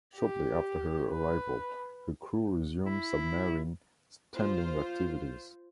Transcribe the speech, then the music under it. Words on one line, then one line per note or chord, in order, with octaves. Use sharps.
Shortly after her arrival, her crew resumed submarine tending activities.
G4
B4
E4
F4 C5